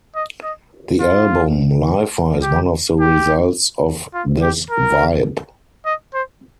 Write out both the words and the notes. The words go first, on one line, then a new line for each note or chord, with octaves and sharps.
The album 'Lifer' is one of the results of this vibe.
D#5
D#5
F4
G4
G4
F4
G4
A#4
D#5
C5